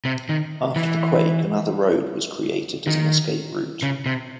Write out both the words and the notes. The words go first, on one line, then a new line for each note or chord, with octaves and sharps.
After the quake another road was created as an escape route.
C3
D#3
E3
D#3
C#3
C3